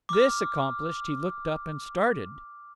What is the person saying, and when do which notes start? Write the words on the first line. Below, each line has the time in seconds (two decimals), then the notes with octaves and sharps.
This accomplished, he looked up and started.
0.09 D6 F6